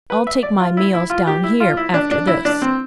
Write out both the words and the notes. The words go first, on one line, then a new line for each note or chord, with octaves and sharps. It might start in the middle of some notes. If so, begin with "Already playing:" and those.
"I'll take my meals down here, after this."
B4
E5
D5
F4
E4
E4
F4
G4
E4
F4
E4
D4
D4
E4
D4
C4